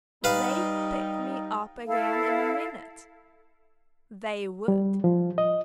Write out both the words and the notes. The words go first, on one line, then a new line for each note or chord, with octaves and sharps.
'They'd pick me up again in a minute, THEY would!
G3 D#4 B4 F5
E4 A4 F5
G3
F3
D#5